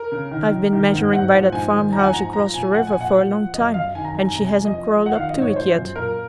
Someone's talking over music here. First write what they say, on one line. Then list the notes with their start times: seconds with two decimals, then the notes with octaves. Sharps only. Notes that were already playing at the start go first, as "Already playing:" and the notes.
I've been measuring by that farmhouse across the river for a long time, and she hasn't crawled up to it yet!
Already playing: A#4
0.12 C#3
0.31 D#3
0.52 D#3
0.73 D#3
0.93 G#2
1.13 G#2 F#5
1.33 F3
1.52 G#2 G#5
1.73 D#3
1.92 F3 A#5
1.99 F#5
2.04 G#5
2.13 G#2 A#5
2.33 F3 A#5
2.54 A#2 G#5
2.74 F3 F#5
2.87 G#5
2.94 A#2
3.01 F#5
3.14 F3
3.34 F3
3.54 F#2 D#5
3.74 F#2 F5
3.95 D#3 G#5
4.05 A#5
4.15 F#2 A#5
4.25 G#5
4.35 C3 A#5
4.45 G#5
4.55 F2
4.65 D#5
4.75 F3
4.96 F3
5.06 F#5
5.15 D#3 F5
5.29 D#5
5.36 G#2
5.42 C#5
5.55 F3 C5
5.75 F#2
5.96 A#2 A#4